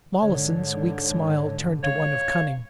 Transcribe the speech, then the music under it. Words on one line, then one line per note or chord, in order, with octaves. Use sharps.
Mollison's weak smile turned to one of cunning.
G#2 D3 C#5
C#5 F5